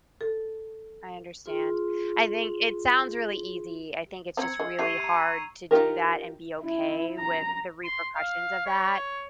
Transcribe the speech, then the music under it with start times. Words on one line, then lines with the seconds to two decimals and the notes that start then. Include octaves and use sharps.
I understand, I think it sounds really easy, I think it's just really hard to do that and be okay with the repercussions of that,
0.21 A4
1.46 F4 G#4 C6
4.37 C4 A#5 E6 G#6 C#7
4.60 G#3
4.79 G3 A3 C#6 C7 D#7 F7
5.04 A#5
5.71 D#4 F4 G4 A#4
6.60 E4
7.17 A#5
7.84 C6
8.15 F5
8.66 C#5